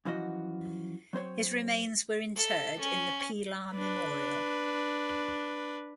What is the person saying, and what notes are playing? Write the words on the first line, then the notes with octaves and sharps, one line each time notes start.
His remains were interred in the Pilar Memorial.
F#2 E3 F3 F#4 D#5 F#5
F#3 C4 C5 C#5
A4
C#4
D4 B4